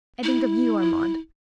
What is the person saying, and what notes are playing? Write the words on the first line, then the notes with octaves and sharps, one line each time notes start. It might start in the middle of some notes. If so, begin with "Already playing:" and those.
I think of you, Armand.
E4